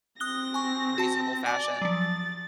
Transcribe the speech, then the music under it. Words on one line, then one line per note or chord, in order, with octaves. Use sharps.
reasonable fashion,
C4 D#6 F#6 A#6 G7
G#5 C#6
F#4 A5
D5 G#5
F3 F#3 A6